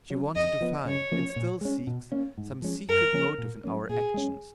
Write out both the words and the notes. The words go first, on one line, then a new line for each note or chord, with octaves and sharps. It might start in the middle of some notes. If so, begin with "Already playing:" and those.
She wanted to find, and still seeks, some secret motive in our actions.
F#3 C#4
F2 D#5
F3 B3
C#3 C#5
F3 A#3 C#4
A#2
G#3 C#4
B2
A#3 C#4
G#2
F3 G#3 C#4
F#2 A#4
F3 A#3 C#4
A#2
F#3 A#3 C#4
A#2 G#4
G#3 C#4